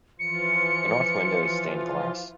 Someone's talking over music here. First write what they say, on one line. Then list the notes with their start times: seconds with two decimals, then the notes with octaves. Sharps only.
The north window is stained glass.
0.19 E3 F3 F4 C#7